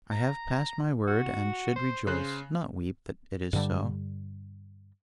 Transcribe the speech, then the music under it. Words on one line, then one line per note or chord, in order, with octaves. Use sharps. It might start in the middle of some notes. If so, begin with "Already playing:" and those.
I have passed my word, and should rejoice, not weep, that it is so.
A#5
F#4
C5
C#3 C5 F#6
G2 D3 G3